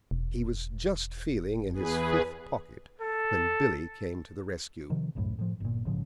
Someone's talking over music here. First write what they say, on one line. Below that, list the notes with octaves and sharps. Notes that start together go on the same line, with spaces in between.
He was just feeling in his fifth pocket when Billy came to the rescue.
E1
E2 G#4 B4
A4
C3 D#3 F3
G1 C2 F#2 A2
A2 F3
G1 A#2
A#1 G#2 C#3 F3